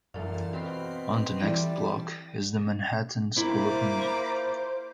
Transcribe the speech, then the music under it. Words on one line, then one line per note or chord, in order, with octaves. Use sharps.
On the next block is the Manhattan School of Music.
F#2 A#2 E3 A4 F5
B2 C4 F5 B5 C6
E3 G3 A4 D5
A#3 E4 F4 C5 B5 D6